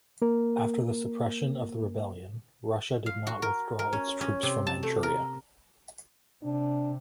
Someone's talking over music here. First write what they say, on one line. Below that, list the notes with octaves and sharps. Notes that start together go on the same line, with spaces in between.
After the suppression of the rebellion, Russia did not withdraw its troops from Manchuria.
A#3 A#4
F5
F#4
A#4
A#4
C#4
C#4
C3
A5
A3
A#4
C3 D4